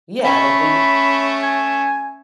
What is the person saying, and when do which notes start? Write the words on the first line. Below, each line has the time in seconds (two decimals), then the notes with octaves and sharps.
yeah, like when you
0.24 A3 C#4 B5
1.43 G#5